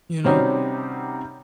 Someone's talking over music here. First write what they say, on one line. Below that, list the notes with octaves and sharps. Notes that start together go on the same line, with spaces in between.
You know
C3 G3 C4 C#4 D#4 F#4